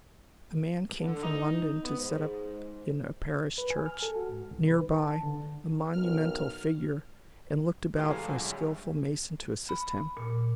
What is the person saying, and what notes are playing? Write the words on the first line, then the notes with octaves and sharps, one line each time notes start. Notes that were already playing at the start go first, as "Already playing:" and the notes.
A man came from London to set up in a parish church near by a monumental figure, and looked about for a skillful mason to assist him.
D3
D#4
B3
G#2
B4
G#5
F6
A4
F#4
G#2
C2
B4
D#4
A5
D3
B1 A#4 F6
A2 C#3 E3 G#3 G4
A4 D5 F5 G#5 A#5
F#2 A#2 D3 G#4 G#5
D#2 G3 C#5 E5
B5
A#2